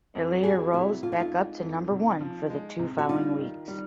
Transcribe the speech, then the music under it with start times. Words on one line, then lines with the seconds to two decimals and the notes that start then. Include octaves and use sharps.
It later rose back up to number one for the two following weeks.
0.15 F2
0.43 F2 F#4 G#4
0.73 C3 E4 F#4
1.02 F2 F4
1.12 E4
1.20 D#4 F4
1.32 G#3
1.62 F2
1.91 C3
2.21 F3
2.50 G#3
2.79 C3
2.98 F#4
3.09 G3 D#4 F4
3.39 D#3
3.68 G3